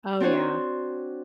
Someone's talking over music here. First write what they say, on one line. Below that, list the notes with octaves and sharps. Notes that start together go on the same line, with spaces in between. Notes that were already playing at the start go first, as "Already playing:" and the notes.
Oh, yeah.
C4 D4 F#4 C5 C#5